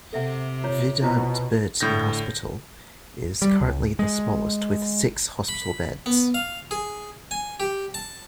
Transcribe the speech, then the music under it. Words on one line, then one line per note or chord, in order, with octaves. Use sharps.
Vidant Bertie Hospital is currently the smallest, with six hospital beds.
C3 A4 E5 F#5
F4 C#5
B2 E4 F4 C5
A2 D3 G6 A#6
G3
C#2
G#3
B5
B3
F5
G#4
G#5
G4
A5